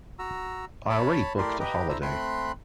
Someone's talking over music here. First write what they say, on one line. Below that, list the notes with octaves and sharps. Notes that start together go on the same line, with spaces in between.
I already booked a holiday.
F#4 A#5 E6
C#5 A5 B5
A3 E4 G4 A#4 D5 C6
G4 B4 D#5 G5 A#5
D4 E4 A4 C5 A#5 E6
A3 C4 B5 C6 F#6